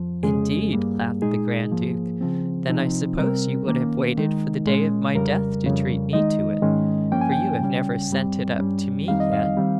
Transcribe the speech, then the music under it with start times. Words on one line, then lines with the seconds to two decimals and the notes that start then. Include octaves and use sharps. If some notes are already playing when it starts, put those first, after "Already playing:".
'Indeed,' laughed the grand duke; 'then I suppose you would have waited for the day of my death to treat me to it, for you have never sent it up to me yet.
Already playing: F2 F3
0.23 F2 C#3 G#3 C#4 G#4
0.73 G2 G3 A#3
1.22 A#2 G#3 D#4 G#4
1.71 G#2 F3 A#3
2.21 C#3 F3 C4
2.69 C3 F3 C4 D#4
3.18 C3 G3 C4 A#4
3.68 D#3 A#3 C#4
4.17 D#3 G#3 D#4
4.66 A#2 G#3 C#4
5.15 F2 C#3 G3 A#4
5.64 F2 C#3 G3
6.13 D#3 G#3 D#4 D#5
6.62 G#2 D#3 G#3 C#4
7.12 G2 F3 A#3 C#4 G5
7.21 G#5
7.32 G5
7.60 C#3 G3 C#4
8.09 G2 G3 C4
8.59 G2 G3 C#4
9.08 F2 D#3 G3 C4 D#4 F5
9.20 D#5
9.33 F5
9.57 D#3 G3 C4